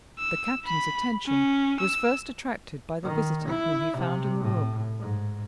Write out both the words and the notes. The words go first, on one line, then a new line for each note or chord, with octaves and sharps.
The Captain's attention was first attracted by the visitor whom he found in the room.
E6
B5
C#4
E6
D#3
E4
C3
A2
G#2